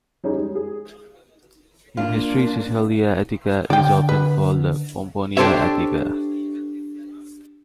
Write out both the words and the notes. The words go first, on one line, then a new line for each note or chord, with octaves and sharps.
In history Caecilia Attica is often called Pomponia Attica.
G3 C#4 D#4 G#4
G#3
G#4
A#3 D4 F4
D3 D5 G5
B4
D4 G4 A4 C5 C#5 E5